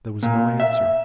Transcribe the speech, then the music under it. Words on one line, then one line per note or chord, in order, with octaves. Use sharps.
There was no answer.
A#2
E5